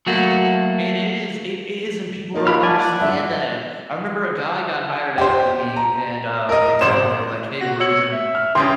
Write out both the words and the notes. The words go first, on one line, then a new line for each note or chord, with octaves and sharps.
It is! It is, and people don't understand that. I remember a guy got hired after me, and, uh, they told him, they were like, "Hey, Ruben"
F#3 A3 A#3 F#4
F3 A#3 D#4
F4 G4 B5 F6
G3 D5 G#5 A5
D5 F#5
G2 D3 E5
G4 C5
A#5
A#4 D#5
G#1 C5 E7
F#4
C#5 E6 C#7 F#7
E5
F6
E3 G3 C#4 E5 G5 C6 D#6